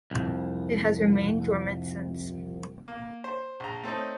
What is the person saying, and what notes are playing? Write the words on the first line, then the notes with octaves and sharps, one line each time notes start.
It has remained dormant since.
C2 F2
A#3
C5
A#1 A#5
A3 C4 C#4 D#4